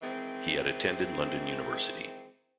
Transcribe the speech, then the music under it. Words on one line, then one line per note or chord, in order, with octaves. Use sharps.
He had attended London University.
D#3 E3 G#3 C4